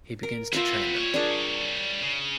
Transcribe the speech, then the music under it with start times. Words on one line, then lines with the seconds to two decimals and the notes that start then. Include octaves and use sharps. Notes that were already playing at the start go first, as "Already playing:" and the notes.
He begins to train them.
0.23 A#4
0.52 B3 C4 F4 E5 F5
0.97 G3 C#5
1.14 D4 G#4 A#4
2.03 C#3